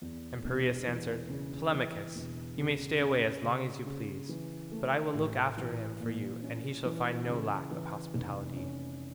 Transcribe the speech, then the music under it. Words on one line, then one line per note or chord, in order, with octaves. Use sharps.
And Piraeus answered, "Telemachus, you may stay away as long as you please, but I will look after him for you, and he shall find no lack of hospitality."
E2
E1
E3
C#3
E3
E1
C#3
C#4
C#3
C#3
E3
A3
A1
E3
A#2
C#4
E3
C#3
E3
F1
C#4